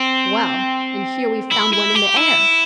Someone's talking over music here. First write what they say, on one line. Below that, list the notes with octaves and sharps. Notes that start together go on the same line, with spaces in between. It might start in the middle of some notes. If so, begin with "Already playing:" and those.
"Well; and here we've found one in the air!"
Already playing: C4
E4
E4
G4
E4